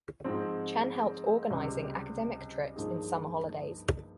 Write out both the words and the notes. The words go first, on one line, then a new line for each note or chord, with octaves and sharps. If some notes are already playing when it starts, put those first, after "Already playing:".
Chen helped organising academic trips in summer holidays.
G#2 F3 G#3 C4
C#2 C3 G3
G2 F3 A#3 D#4 G#4